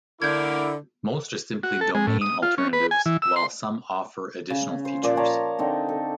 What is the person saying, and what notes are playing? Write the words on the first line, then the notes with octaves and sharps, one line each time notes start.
Most are simply domain alternatives while some offer additional features.
D3 E4 A#4 D6 G6 G#6
F#4
A4
G#3
A2
D#6
F4
C#4
B4
G#5
E3
E6
C6
C#3
C5
A#2 F3 D5
C#5 A5 A#5
D3 C4 D#4 A4
A4